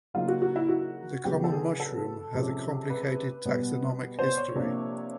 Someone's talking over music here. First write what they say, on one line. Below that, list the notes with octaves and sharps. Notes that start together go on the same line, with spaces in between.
The common mushroom has a complicated taxonomic history.
C#3 F#3 A#3 D#4 F4
F#4
F#4
E4
F#4
C#3 F#3 B3 D4 G4
A4
G#4
A4
C3 F3 G#3 C#4
B4
B2 G3 B3
C5
C#5
C3 F3 A#3 D4